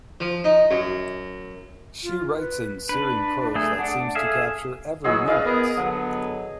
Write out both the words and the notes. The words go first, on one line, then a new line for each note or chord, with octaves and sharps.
She writes in searing prose that seems to capture every nuance.
F3
D#4
F#2
F4
B4
D4 B4
A3 G#4
D4 F#5
G#4 A4 E5 F5
E3 F#3 F#4 G#4 D#5 E6
E3 D5 D#5 F5
B3 G#4 A#4
D3 F#3 B3